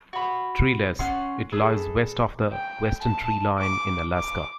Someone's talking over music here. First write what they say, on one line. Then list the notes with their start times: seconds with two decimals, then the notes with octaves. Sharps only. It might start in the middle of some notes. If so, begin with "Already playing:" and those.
Treeless, it lies west of the western tree line in Alaska.
0.13 F#4 B5
0.99 C#4 F#5 C6
1.52 G#4 A4 B4
2.53 G5
3.01 A5
3.59 D6
4.16 D6